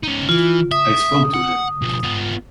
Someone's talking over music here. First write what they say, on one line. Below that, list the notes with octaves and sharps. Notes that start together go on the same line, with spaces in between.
I spoke to him.
C#4 D#4
E3 F4
E5 D#6
F#5
B2 F3
B3 F4